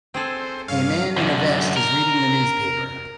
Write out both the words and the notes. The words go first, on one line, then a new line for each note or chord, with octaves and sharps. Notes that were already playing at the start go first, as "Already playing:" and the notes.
A man in a vest is reading the newspaper.
C4 G#4 A4 C5
G2 C#4 F5
F#2 D3
A#4